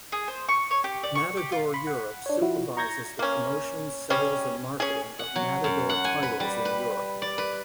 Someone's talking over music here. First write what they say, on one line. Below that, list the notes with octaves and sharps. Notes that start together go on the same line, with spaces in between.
Matador Europe supervises the promotion, sales and marketing of Matador titles in Europe.
G#4
C5
C#6
C#5
G4
D5
C#6
G4
F4
B5 C6
F#5
D4 C#5
F3 E4 F#4
A#5 C#6 G6 G#6 A#6
A#3 C#4
G3 G#3 C#4
C#4 G#4
F#5
F#3
F#2
F#5
G#5
B4
G3
B4
D5
B4